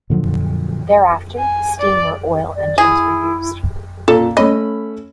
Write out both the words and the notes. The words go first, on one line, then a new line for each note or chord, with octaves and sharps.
Thereafter steam or oil engines were used.
A#2 D3 F3 F#3
G#5
D5
D5
E4 G#4
A#2 A4
A3 C#4 D#5 B5